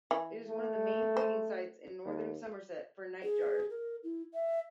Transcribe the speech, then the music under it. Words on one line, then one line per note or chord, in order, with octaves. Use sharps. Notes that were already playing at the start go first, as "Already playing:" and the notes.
It is one of the main breeding sites in northern Somerset for nightjars.
E3
A3
C5
D#2
G#4
A#4
E4
E5